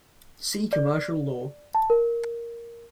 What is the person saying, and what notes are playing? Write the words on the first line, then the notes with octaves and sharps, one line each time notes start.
See commercial law.
D5
A5
A#4